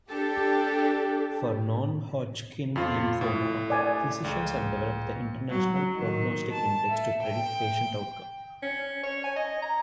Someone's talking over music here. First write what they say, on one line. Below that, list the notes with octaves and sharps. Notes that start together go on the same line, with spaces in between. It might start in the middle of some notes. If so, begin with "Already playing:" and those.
For Non-Hodgkin lymphoma, physicians have developed the International Prognostic Index to predict patient outcome.
D4 G4 A4
F2 F4
A2
D5 G#5
C#2
F#3
D#3
A5
A3
G5
C#4
C#5
G#5
D#5
A#5